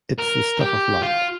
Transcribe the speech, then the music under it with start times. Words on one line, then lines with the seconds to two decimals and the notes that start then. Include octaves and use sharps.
It's the stuff of life.
0.19 A#4
0.60 G4
1.03 F4